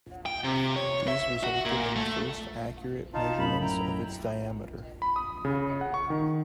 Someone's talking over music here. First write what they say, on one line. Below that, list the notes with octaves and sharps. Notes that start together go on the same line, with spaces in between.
These resulted in the first accurate measurements of its diameter.
G5
C3
C#5
E5
F#4
A#2
A3
D#4 F4 A5
F#2 A2 B5
E4 G5 A#5
B5
D#6
C#3
F#5
C#6
D#3